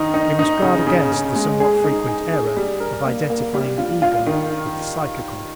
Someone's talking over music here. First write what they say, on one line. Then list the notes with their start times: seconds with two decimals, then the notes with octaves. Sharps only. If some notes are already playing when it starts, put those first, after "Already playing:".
We must guard against the somewhat frequent error of identifying the Ego with the psychical.
Already playing: D#3 D#4
0.14 D#4
0.39 D#4
0.62 C#3
0.87 C#3
1.12 C#3
1.36 G#3
1.60 G#4
1.84 D#4
2.08 G#4
2.33 G#4
2.57 G3
2.80 A#4
3.06 A#3
3.30 A#3
3.54 G3
3.78 F4
4.02 F4
4.26 D#3